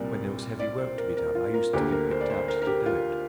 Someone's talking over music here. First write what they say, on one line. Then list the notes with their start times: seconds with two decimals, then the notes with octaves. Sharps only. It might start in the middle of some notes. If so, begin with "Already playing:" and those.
When there was heavy work to be done I used to be picked out to do it.
Already playing: C2 A#2 G3 C4 A#4 D5
0.60 D5
0.78 C5
0.98 A#4
1.17 A#4
1.35 F4
1.54 A#4
1.73 D2 D3 A#3 G4
1.92 A#4
2.11 C5
2.21 D5
2.30 C5
2.48 A#4
2.62 A#4
2.67 G4
2.86 F4